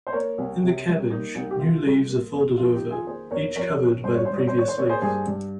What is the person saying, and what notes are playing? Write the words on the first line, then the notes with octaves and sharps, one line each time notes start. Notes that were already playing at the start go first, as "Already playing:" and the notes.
In the cabbage, new leaves are folded over, each covered by the previous leaf.
C5
A#3 A#4 C#5
C2
C3
G3
A#3 D#4
C2 D#4
G4
C3 F4
G3
A#3
G1
F2 F4
D#4 G4
D#3
F4 G#4
A#3 G#4 C5
G1 A#4 C#5
F2 A#4 C#5
D#3
G2 C5
C#5
G2 C5
C#5
C5
D#3 C#5
C5
A#3 C#5
G#4 C5
G2 G#4 C5
G2